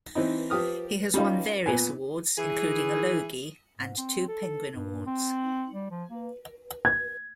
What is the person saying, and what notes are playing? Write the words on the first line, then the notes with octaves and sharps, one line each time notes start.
He has won various awards, including a Logie and two Penguin awards.
E3 C4 D#4
F3 G4 D#6 F6
G3 C#4 D#4 F4
A#2 B3 G#5
E3 G#4
G#2
C4
A4
G2
C4
G3
F3
A#3
G#6